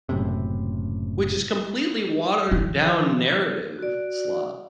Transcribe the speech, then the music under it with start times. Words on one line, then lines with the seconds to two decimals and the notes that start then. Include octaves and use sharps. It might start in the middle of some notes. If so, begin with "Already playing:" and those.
which is completely watered down narrative slop.
0.09 F#1 F#2 A2 C3
2.52 D#3 F3
3.79 F#4 D5